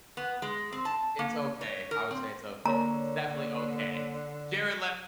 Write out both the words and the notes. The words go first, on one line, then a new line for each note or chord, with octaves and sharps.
it's okay, I would say it's okay, it's definitely okay. Jared Leto
B3
G#3
C4
A5
A#3
C#5
A#4
C4
D3 A#3 C#5 A#5